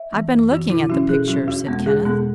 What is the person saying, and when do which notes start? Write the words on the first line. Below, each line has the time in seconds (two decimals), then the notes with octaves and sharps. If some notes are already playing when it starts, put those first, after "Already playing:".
"I've been looking at the picture," said Kenneth.
Already playing: E5
0.12 E3 B3
0.31 F#2
0.51 E3 B3 F#4
0.70 B2 E4
0.89 F#3 C#4 F#4
1.09 B2 G#4
1.28 F#3 C#4 F#4
1.48 E2 F#4
1.67 B2 G#3 B3
1.86 E2 G#4
2.05 B2 G#3 B3 G#4